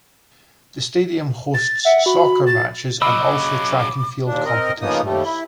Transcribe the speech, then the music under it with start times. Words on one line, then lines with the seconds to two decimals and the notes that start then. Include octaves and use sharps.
The stadium hosts soccer matches and also track and field competitions.
1.54 A6
1.85 E5 F#5
2.06 F#4 B5
2.47 A6
3.02 C#3 F#3 D#5 B5 D6 E6
4.27 D#2 A#2 D4
4.45 C4 A#4 D#5
4.81 C#3 F3 A#3 B3 D#4 D#6
5.04 D#2 G3 A3
5.25 E4